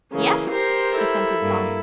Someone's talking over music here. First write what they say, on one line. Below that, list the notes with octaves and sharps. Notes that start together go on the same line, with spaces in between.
"Yes," assented Thong.
C#3 E3 A#3 C#4
G4 A#4 C5 C6
E4 A4
G2 A#3